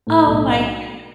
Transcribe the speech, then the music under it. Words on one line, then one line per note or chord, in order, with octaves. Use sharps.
Oh my goodn
A2
B1